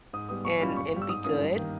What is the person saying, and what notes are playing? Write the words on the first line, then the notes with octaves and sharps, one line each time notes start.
and and be good.
G#2 D#6
G3 B3 D#6
B1 C#6
A#2 G3 C#4 B5
G1 C#6
G2 G3
E6
G#2 D#6
E3 A#3 C#4 D#6
G2
D#3 A#3